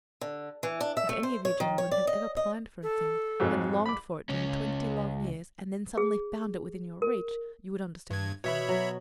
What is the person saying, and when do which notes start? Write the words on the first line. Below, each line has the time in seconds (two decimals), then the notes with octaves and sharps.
If any of you gentlemen have ever pined for a thing, and longed for it during twenty long years, and then suddenly found it within your reach, you would understand my feelings.
0.21 D3
0.63 E3
0.81 D4
0.97 E5
1.09 A3
1.23 C5
1.45 C#5
1.60 D#3
1.78 C#5
1.91 D5
2.07 D#5
2.37 D#5
2.83 A4
3.40 F2 G#2 F#3
3.86 B5 D6
4.29 C#2 C#4
5.97 G#4
7.02 A#4
8.11 G2 G#6
8.44 B2 C#5 E5 B5
8.69 F#3